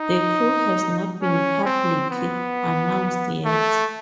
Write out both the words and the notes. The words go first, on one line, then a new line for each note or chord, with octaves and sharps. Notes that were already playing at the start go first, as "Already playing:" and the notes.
The crew has not been publicly announced yet.
Already playing: D#4
C#4
C4
B3
A3